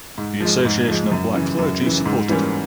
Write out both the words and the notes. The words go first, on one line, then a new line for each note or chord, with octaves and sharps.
The Association of Black Clergy supported her.
G#2
F3 G#3
G#2
F3 G#3
F#2
C#3 E3
F#2
C#3 E3
G#2
E3 G3 A#3 C#4